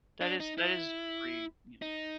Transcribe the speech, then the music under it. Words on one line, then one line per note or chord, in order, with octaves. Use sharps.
That is that is pretty, you know
D4
D#4
E4
D#4